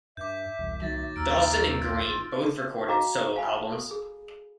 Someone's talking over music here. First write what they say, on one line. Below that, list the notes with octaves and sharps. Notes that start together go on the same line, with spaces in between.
Dawson and Green both recorded solo albums.
G2 E5 D6 G6
E1 C2
A#1 D#3 F#3 A6 A#6
D#2 A#5 E6 F6 D7
A#1 F4
F#4 D#5 F5 A#5 D6
F5 G#5 B5
A4
G#4